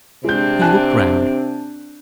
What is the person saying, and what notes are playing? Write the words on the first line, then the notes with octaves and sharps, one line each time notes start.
He looked round.
C3 G#3 C4 D4 G6
G#5 A5 F#6